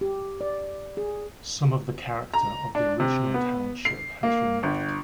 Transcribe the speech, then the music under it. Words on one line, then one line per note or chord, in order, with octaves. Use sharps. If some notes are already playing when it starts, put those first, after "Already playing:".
Some of the character of the original township has remained.
G4
D5
G#4
A#5
D4
C3
B3
C7
A#3
G1